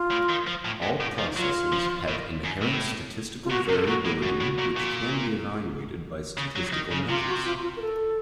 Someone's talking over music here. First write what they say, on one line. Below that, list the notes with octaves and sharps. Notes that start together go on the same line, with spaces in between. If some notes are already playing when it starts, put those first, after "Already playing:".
All processes have inherent statistical variability which can be evaluated by statistical methods.
Already playing: F4
A2
D#3
F3
A2
F#2
A2
F3
D#4
F#3 F4
F3
A2
F#2
A2
F4
A#2 F#4
C3 A#4
A4
A#2 F#4
A2
F#2 F#4
A2
A#2
A#2
C#3
F#3
D#3
C#3
C3 F4
F#4
F4
F4
A#4
A4